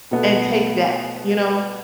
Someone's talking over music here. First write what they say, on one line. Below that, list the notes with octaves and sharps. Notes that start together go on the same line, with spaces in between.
And take that, you know,
B2 A3 B3